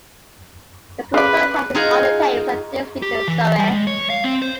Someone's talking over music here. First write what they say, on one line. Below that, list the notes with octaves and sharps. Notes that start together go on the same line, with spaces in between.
The school's boathouse is on the Thames at Thames Ditton, Surrey.
C#3 B4 D5
D#4 F4 G#4 F#5 G#5 A#5
G4
E3
G3
G#3
C#5
F5
C4
C5